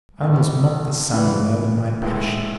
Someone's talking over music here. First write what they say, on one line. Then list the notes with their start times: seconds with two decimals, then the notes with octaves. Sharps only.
I almost mocked the sound aloud in my passion.
0.21 B1 A2 E3
1.11 C#2 C#3 E3 B3 D4
2.02 B1 A2 G#3 B3 E4